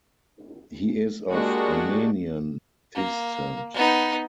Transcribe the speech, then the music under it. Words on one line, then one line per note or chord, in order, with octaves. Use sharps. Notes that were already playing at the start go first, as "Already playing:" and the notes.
He is of Armenian descent.
G#3 A#3 D4 F#4 G4
A#3
B3 D#4